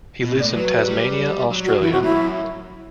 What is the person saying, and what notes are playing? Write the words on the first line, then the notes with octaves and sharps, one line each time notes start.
He lives in Tasmania, Australia.
B2
A2
D5
A2
F#3 B4
G3
F#3
F#4
E3 E4
C3 F#4
A2 E4
F#2